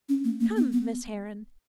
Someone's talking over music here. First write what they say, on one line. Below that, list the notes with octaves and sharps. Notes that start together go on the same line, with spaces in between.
Come, Miss Heron!
C#4
A#3
A#3
B3
B3